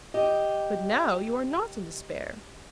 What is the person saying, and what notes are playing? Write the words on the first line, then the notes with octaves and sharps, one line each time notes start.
"But now you are not in despair."
G4 D#5